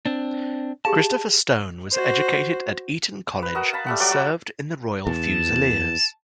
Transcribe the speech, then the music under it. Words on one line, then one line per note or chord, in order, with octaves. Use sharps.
Christopher Stone was educated at Eton College and served in the Royal Fusiliers.
C4 D4
G4 G#4 F5 A5
F#4 C5
B4
F#4 A#4 D#5
F5 A5 B5
G3 A3 F#5
F#3 D5 F#5 D6
F#4
E2 A5